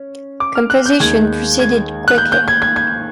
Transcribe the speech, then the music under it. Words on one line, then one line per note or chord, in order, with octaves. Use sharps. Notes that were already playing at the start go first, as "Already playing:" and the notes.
Composition proceeded quickly.
Already playing: C#4
D6
F6
F#6
G6
D#2 D#3 G#3 G#6
G#6
F#6
G6
G6
G#6
G#6
G#6